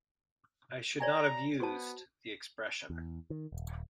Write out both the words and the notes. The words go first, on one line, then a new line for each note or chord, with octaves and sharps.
I should not have used the expression.
C#5 D5 G#5 A#5
B3 F#4 C5 A5
E2
D#3
D#1